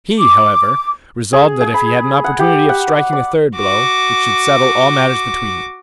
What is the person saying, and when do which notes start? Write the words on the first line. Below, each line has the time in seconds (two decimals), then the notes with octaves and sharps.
He, however, resolved that if he had an opportunity of striking a third blow, it should settle all matters between them.
0.19 D6
1.33 G#4
1.61 G#4
1.74 B5
2.24 F#5
2.39 G4
2.69 F#5
2.88 D5
3.13 D5
3.57 F#4 D6